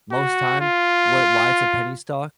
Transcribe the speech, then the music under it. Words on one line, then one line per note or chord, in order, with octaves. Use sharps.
Most time, wa why it's a penny stock,
F#4
F4